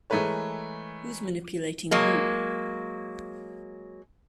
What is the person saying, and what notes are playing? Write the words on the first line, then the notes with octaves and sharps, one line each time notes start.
Who's manipulating who?
E3 G#3 A3 A#4 B4 C#5
F#3 G#3 A#3